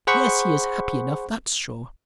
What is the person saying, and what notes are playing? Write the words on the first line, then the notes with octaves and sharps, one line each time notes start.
Yes, he is happy enough, that's sure!
G#4 C5 F#5 B5 C#6